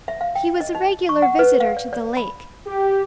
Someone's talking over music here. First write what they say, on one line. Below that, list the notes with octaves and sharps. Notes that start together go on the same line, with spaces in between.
He was a regular visitor to the lake.
E5
F5
G5
D#5
D#4
C#6
F#5
B4
F5
D5
D5
B5
G4